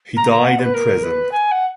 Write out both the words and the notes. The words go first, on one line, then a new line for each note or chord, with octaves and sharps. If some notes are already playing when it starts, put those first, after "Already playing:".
He died in prison.
A#5
A#5
F#5
B4
A#4
B4
G#5
F#5